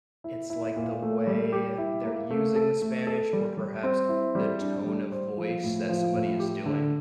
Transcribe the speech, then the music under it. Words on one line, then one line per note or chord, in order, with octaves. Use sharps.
it's, like, the way they're using the Spanish or perhaps the tone of voice that somebody is doing.
E4
E4
A#2
A3
G3
G4
E4
A#3
A3
A4
A3
A4
G3
G3
C4
E4
G3
D4
G3
C5
F3
A2
F3
A2
G4
D3